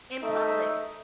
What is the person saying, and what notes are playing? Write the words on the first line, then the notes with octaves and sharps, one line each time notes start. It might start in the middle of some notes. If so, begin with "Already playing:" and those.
In public.
A3 D#4 A4 E5